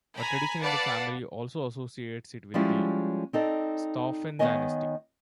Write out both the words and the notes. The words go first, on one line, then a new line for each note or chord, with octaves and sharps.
A tradition in the family also associates it with the Staufen dynasty.
G#5 A#5 B5
B4 D5 F5 F#5 A5
F3 G3 G#3 C#4 E4
C4 D#4 A4 D5
D#3 G3 B3 C#5 D#5 G#5